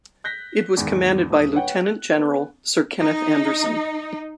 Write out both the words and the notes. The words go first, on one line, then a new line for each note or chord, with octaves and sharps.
It was commanded by Lieutenant-General Sir Kenneth Anderson.
F#6 G6 A#6 B6
E2 G#2 D#3
D#1 D#6
B4 C#5 F#5 G5
F#6
B3
D#4